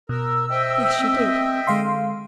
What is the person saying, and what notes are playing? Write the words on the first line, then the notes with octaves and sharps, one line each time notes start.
"Yes, she did."
B2 A#4 E6
C5 D#5 E5 G5
C4
D3 G#3 F5 C6